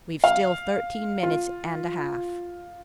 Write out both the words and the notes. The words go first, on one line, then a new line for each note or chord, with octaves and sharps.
"We've still thirteen minutes and a half."
F5
F4